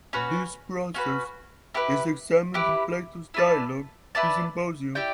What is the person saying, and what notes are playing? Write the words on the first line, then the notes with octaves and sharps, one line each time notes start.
This process is examined in Plato's dialogue the "Symposium".
C#4 F#4 B4
C#4 F#4 B4
E4 G4 B4
E4 G4 B4
E4 B4 D5 A5
E4 B4 D5 A5
E4 G4 D5 G5